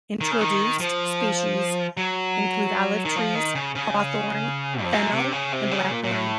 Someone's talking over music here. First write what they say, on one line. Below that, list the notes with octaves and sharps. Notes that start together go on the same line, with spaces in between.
Introduced species include olive trees, hawthorn, fennel and blackberry.
D#3
C#3
D#3
F3
F#3
D#3
F3
D#3
C#3
C#3
F2
F#2
C3
C#3
C3
C#3
A#2
A#2
A2